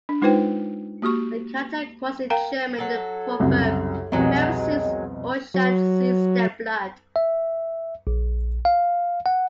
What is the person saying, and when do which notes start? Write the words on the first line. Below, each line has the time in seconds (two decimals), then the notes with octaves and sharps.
A character quotes in German the proverb 'Whoever sees Ushant sees their blood.
0.09 D4
0.22 G#3 D#4 F4 B4 C5 G5
1.02 A#3 F#4 G4 C#6
2.30 A#4 F5 G5 A#5
2.79 F#3 A4
3.40 C2 F#2 C#3
4.12 C2 F2 B2 D#3 F#3 G#3
5.54 F#3
7.16 E5
8.07 A#1
8.65 F5
9.26 F#5